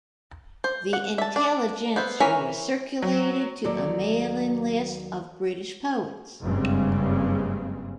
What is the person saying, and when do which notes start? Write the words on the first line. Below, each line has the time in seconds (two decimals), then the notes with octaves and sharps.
The "Intelligencer" was circulated to a mailing list of British poets.
0.64 C5
0.93 F#5
1.18 E5 A5
1.36 D4
1.96 B3 C5 E5
2.20 E3 C#4 A#4 E5
3.02 F#3
3.64 D#2 F#3 A4 D5
6.43 F#1 G2 C#3 G3 G#3 C4